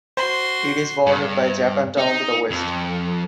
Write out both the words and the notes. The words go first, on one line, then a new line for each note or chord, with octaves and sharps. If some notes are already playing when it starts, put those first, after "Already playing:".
It is bordered by Japantown to the west.
F#4 C5 C6
G2
D#4
F2